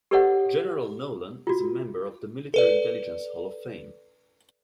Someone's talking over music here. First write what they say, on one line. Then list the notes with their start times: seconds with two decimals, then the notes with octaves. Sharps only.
General Nolan is a member of the Military Intelligence Hall of Fame.
0.11 G4 A4 B4 C#5 D#5 F#5
1.47 F4 F#4
2.54 A4 B4 D5